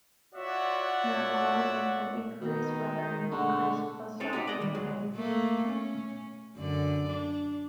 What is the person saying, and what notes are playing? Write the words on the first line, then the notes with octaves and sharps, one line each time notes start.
Nabilone can increase-rather than decrease-post-operative pain.
F4 F#4 C#5 D5 E5 F#5
B2 D#3 D#4
D3 G#3 F#5 C#6
C4 C#4 D#4 A4
D#4 F#4 G4
D5 D#5
D#3 G3
D2 F#3 G#3
A3 A#3
C#4
F#2 D3 D5
D4